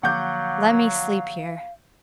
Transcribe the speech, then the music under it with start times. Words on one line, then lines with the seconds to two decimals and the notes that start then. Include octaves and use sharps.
"Let me sleep here."
0.03 D3 F3 F#3 A#3 F5 F#5 D6 G6